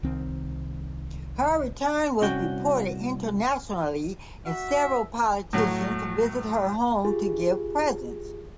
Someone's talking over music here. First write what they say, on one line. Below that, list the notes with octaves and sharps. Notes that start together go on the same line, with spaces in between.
Her return was reported internationally and several politicians visited her home to give presents.
C2 D#3 C4
C2 C#4 F#4 G5
F#4 E5
A2 F#3
F4 G4 G#4